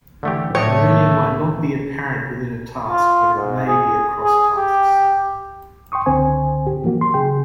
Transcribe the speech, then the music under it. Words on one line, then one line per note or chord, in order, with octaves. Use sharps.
Learning might not be apparent within a task but it may be across tasks.
D3 E3 A3 G4
A2 F#3 A3 D4 C#5 D#5 G5
A#3
F4
G#2
G#4
G#4
G4
G5 C6 C#6 D#6
C#2 D3 C4 C5 G#5
G4
E3 F#3 A#3 F#4
C6
C#3 G#4 G5